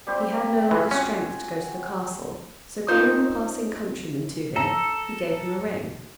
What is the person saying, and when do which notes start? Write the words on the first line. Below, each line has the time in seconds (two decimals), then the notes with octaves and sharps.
He had no longer strength to go to the castle, so calling a passing countryman to him, he gave him a ring.
0.07 G3 C4 G4
0.71 E3 F4 G#4
0.91 C#4 F#4
2.88 C#4 D#4 F4 A#4 C5 F5
4.56 A4 A#5